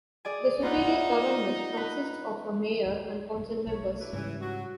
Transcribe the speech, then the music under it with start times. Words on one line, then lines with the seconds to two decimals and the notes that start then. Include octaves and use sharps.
The Superior government consists of a mayor and council members.
0.25 G#4 D5 G#5
0.63 B3 D#4 F4 F#5
1.77 B4
3.67 B1 C#5
4.00 D4 E4 B4
4.13 G#2 C#3 E3 G3
4.41 F#3 F#4